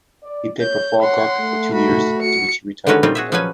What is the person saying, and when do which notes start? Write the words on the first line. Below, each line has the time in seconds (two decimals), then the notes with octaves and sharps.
He played for Falkirk for two years, after which he retired from playing.
0.24 D5
0.61 C#5 G6
1.01 F#5 C6
1.40 A3
1.73 D#4 F#4 B5
2.21 F#4 C#7
2.87 D3 D#3 G#3 C#4 F#4 B4
3.03 A#2 D#3 G3 C4 D#4 F4
3.15 F#4 G#4 E5
3.32 F3 F#3 C#4 B4 G#5